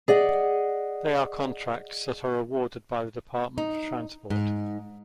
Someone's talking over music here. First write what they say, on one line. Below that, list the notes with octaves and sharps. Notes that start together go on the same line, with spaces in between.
They are contracts that are awarded by the Department for Transport.
G#4 D5 D#5 F#5
D#4
G#2